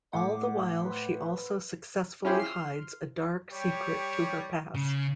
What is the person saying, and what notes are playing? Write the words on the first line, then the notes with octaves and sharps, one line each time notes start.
All the while she also successfully hides a dark secret to her past.
A2 F#5 D6
B4 C5
C#4 E4 F4 G4 G#4 C5
C6 F6
G3 G4 C#5
C#3